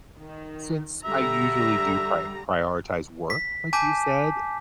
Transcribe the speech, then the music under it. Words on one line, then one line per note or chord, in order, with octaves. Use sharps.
since I usually do prio prioritize work, like you said,
D#3
D3 G3 E5 A#5
B6
G#5 A5 D6 G6 B6